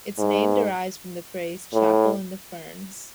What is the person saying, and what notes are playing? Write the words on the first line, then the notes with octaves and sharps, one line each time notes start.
Its name derives from the phrase "Chapel in the Ferns".
G#2
A2